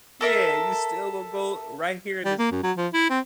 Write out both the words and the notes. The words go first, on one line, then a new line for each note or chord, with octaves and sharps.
Yeah, you still gone go right here in this"
A4 A#4 E5
G3
A#3
F#2
F#3
F3
E4
C4